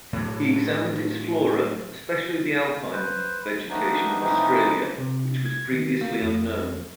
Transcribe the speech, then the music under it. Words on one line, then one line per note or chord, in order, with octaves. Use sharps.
He examined its flora, especially the Alpine vegetation of Australia, which was previously unknown.
A2 F#3
B4 C5
D#3 F3 A3 B3 D4 D#4
A2 C3 E3 F3 D#4
C3
G#6
D#3
A#3
F2